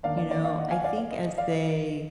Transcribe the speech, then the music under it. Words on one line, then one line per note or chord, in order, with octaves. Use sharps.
you know? I think as they
D#2 D#3 A#3 D4 D5 F5
D5
D5
D5 F5
D#5 F#5
F5 G#5
F#5
D5 F5
D5
D#5
D#5
D5 F5
D#5